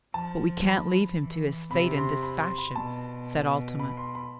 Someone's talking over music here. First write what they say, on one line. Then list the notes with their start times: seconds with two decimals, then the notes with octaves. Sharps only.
"But we can't leave him to his fate, in this fashion," said Altamont.
0.14 F3 A5
0.67 B5
1.19 E3
1.71 C3 B5
1.97 C6
2.23 B5
2.41 C6
2.58 B5
2.75 B2 A5
3.79 B5
3.97 C6
4.15 B5